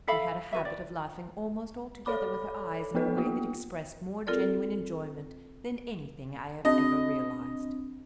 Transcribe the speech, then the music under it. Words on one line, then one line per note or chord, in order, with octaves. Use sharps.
She had a habit of laughing almost altogether with her eyes in a way that expressed more genuine enjoyment than anything I have ever realized.
A4 E5 F5 B5
F#4 B4 E5
D5
A4 C#5 D5 B5 D6
F3 B3 F4 A4 B4 D#5
A#3 B3 F4 G4
C4 F4 A4 A#4 D5
C4 D4 D#5